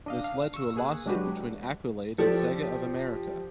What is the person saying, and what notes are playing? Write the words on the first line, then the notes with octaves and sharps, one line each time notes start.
This led to a lawsuit between Accolade and Sega of America.
D4 D#5 F5
F5
C#6 E6
A#3 G#4 G#5 F#6
F#3 G#3 D4 F#4 G4 B4
F3 G4 A4 D5